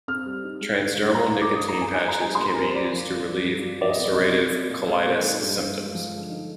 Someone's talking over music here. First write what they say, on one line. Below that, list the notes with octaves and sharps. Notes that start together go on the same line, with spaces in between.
Transdermal nicotine patches can be used to relieve ulcerative colitis symptoms.
C4 F6
G3
D#4
G#3
D3
G2
G#3 A#5
G2
D6
G2 D#6
D4 A#5
G#5
D4
G#5
D4 A#5
G3 G#5
A#3 C6
A#5
G3 A#4
C5
F3 D5
F3
F3
G2
G2
F3
F3 D5
D#5
D5
F2 D#5
C3 D5
C4
C4
A#2
G#3 F5
A#2
D#4
G2
G2
G#3
F3
D3
D#4